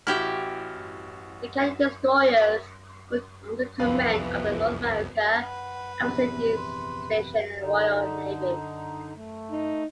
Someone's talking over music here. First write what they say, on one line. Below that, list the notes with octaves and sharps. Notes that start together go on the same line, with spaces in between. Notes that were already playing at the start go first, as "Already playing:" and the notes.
The Canadian destroyers were under the command of the "North America and West Indies Station" of the Royal Navy.
A1 E4 F#4 G4 E5 F6
C2 F2 E3 F3 B3 B4 F5
B4 F#5
A#1 E2 C3 B3
C6
D3 D#4
A3
D#4